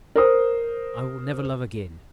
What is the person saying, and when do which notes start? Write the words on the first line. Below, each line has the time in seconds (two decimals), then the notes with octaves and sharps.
I will never love again.
0.15 A#4 C5 D#6